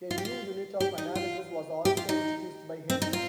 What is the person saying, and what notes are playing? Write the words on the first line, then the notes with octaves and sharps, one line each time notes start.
A new unit of analysis was also introduced by Hymes.
F4
G4
F4
G4
D#4
F4
G4
F4
D#4
C4
D#4
F4